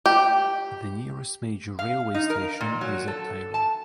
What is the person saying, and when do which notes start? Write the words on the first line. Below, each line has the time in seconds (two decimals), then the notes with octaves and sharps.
The nearest major railway station is at Tirur.
0.06 G4
1.79 F5
2.14 D#4
2.30 A#4
2.61 A#2
2.81 F#3
3.08 A4
3.54 A5